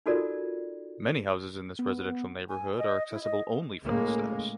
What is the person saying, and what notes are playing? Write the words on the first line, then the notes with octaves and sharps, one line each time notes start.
Many houses in this residential neighborhood are accessible only from the steps.
D#4 F4 F#4 A4 A#4 D5
B3
G#5
D#5
E4
D#5
A2 C#3 G#3 A#3